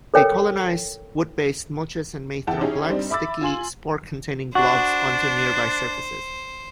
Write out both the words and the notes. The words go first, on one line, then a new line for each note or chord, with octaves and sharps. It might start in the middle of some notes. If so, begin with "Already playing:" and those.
They colonize wood-based mulches and may throw black, sticky, spore-containing globs onto nearby surfaces.
A4 A#4 C#5 G5
E2 E4 F#5 G5 A5
C#4 D#4 E4 G4 G#4
G3 C4 D4 D#4
E5 B5 D6 E6 A6
F4 G#5 C6 F#7
D4 F#4 C5